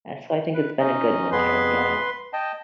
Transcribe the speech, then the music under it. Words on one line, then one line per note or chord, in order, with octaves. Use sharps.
and so I think it's been a good winter, yeah.
B4
C#4 D#4 D#5
F2 B3 G#4 B4 C6
D#5 G5 A5